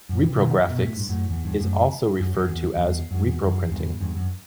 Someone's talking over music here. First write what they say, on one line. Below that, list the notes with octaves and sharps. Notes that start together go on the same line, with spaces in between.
Reprographics is also referred to as "Reproprinting".
F#2
C3 E3
B2 D#3
F#2
B2
A2
G2
F#2 A2
E2
E2 G2
F#2 A2
F#2
F#2
E2
E2
F#2
E2
F#2
E2 G2
E2 G2
F#2